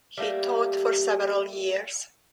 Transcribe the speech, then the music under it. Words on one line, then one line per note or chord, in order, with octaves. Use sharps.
He taught for several years.
G3 A3 A#3 G4